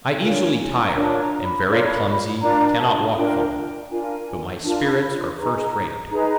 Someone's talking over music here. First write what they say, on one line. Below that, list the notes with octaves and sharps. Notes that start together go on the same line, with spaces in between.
I easily tire, am very clumsy, cannot walk far; but my spirits are first-rate.
D4 F4 A#4 C#5 G#5
A#5
D4 F4 A#4 C#5 A5
A#5
B5
D4 F4 A#4 C#5 C6
B5
B5
D4 F4 A#4 A#5
G#5
A5
D4 F4 A#4 G5
G5
D4 F4 A#4 G#5
D4 F4 A#4 A5
B5
B5
C6
D#4 G#4 B4 A#5
D#4 G#4 B4 A#5